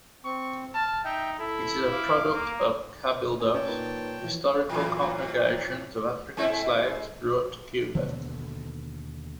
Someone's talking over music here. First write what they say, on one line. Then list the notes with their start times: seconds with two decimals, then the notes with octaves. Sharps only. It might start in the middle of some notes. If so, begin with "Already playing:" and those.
It is a product of "cabildos", historical congregations of African slaves brought to Cuba.
0.24 C4 C#6
0.74 A5 F6
1.05 D#4 E5 G5
1.39 E4 A4
1.91 F5 D6
2.33 A#3
3.40 A#2 F4 A#4 G#5
3.54 C#4 C#5 G5 A5
3.68 A#2 D#4 B4
4.24 E3 F3
4.69 A2 E3 F#3
6.37 G#3 C4 E4
7.95 D#2 B2 D3 A3